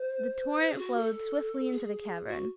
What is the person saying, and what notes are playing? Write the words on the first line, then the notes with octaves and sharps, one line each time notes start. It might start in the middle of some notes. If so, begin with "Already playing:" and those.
The torrent flowed swiftly into the cavern.
Already playing: C5
C5
G#4
F#4
A4
G#4
F#4